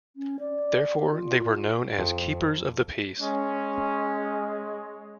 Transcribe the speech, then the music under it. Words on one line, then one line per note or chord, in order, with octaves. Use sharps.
Therefore, they were known as "keepers of the peace".
C#4
D5
F4
F2
G#3 C#4